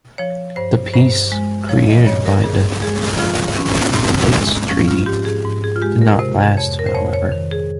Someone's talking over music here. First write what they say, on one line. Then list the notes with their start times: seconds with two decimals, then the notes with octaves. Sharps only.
The peace created by the Bates Treaty did not last, however.
0.18 F3 C#5
0.56 G2 C5
0.93 G2 C5
1.32 G#3
1.69 F3 C#5
1.88 D#5
2.06 G2 C#5
2.26 A#4
2.43 G2 G#4
2.82 G#3 G#4
3.19 F3 F4
3.57 G#2 C#4
3.95 G#2 C4
4.32 G#3
4.69 F3 C#4
4.88 F4
5.06 G#2 G4
5.25 G#4
5.45 G#2
5.64 G#4
5.76 F4
5.82 G#3 G4
6.01 A#4
6.19 C3 C5
6.57 F2 C#5
6.79 A#4
6.86 C5
6.95 F2 C#5
7.14 C#5
7.32 D#3
7.51 G#4